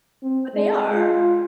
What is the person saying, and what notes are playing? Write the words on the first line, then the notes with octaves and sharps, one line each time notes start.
But they are.
C4
G#3
F4